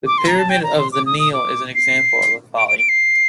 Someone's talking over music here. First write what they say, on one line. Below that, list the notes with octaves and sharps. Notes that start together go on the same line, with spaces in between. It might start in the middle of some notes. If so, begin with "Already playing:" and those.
The Pyramid of The Neale is an example of a folly.
D6
C6
A#5
A5
G5
A#5
C6
D6
D#6
D#6
D6
C7
D7
D7
D7
C7